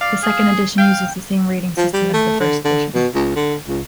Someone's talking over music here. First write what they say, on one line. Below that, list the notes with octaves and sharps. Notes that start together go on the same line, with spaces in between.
The second edition uses the same rating system as the first edition.
D5 F5
G#4
F5 G5
F3
G3
A3
D3
D3
B2
C#2
D3
C#2